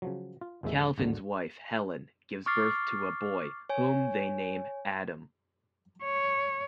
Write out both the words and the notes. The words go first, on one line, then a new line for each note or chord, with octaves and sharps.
Calvin's wife Helen gives birth to a boy, whom they name Adam.
C#3 F3 F#3
F4
G#1 D#2 F3 G#3 E5
A1 D#2 G#2 D3 F#3
C#6 D6 F6 A6 C7
C#5 G#5
C#5